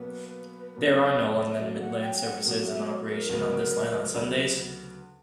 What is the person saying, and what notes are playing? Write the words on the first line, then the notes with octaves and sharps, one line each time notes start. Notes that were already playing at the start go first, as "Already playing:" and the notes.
There are no London Midland services in operation on this line on Sundays.
Already playing: B2 F#3 A#3 B4
B2 F#3 A#3
E5
B2 F#3 A#3 D5
F#5
G5
F#5
B2 F#3 A#3
E5
C#5
A#4
D2 C#3 F#3 B3
D2 C#3 F#3 B3